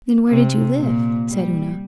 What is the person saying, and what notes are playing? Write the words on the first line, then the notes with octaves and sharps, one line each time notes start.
'Then where did you live?' said Una.
C3
A#2
G3